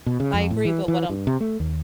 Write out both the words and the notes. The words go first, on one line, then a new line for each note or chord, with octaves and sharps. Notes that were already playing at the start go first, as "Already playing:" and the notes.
I agree, but what I'm
B2
C#3
F2
A2
E3
E3
G2
C3
A3
D#2